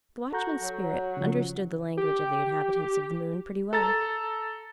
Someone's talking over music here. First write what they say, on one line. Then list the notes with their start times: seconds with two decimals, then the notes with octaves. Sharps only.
The watchman's spirit understood the language of the inhabitants of the moon pretty well.
0.32 F#4 A4 A#5 G6
0.61 F#3
1.17 C#3 F3
1.97 G4
3.73 A4 A#5 A6